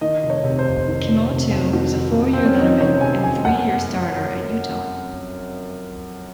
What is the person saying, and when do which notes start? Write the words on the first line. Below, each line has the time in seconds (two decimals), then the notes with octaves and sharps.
Kemoeatu was a four-year letterman and three-year starter at Utah.
0.01 D#3 D#5
0.23 F1
0.30 C#5
0.44 C3
0.59 C5
0.66 F2
0.88 D#3
1.08 F1
1.30 C3
1.51 F2
1.73 D#3 F#4
1.94 F1
2.16 C3
2.33 F2 C4
2.45 C#4
2.58 D#3 D#4
2.81 F1 C#5
3.01 C3 G#5
3.23 F2 G#5
3.45 F#2 F#5